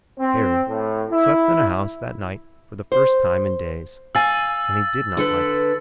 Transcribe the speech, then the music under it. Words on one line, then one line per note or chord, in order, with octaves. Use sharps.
Harry slept in a house that night for the first time in days, and he did not like it.
C4
A2
E4
C5
F5 G#5 E6 A6
D3 A4 B4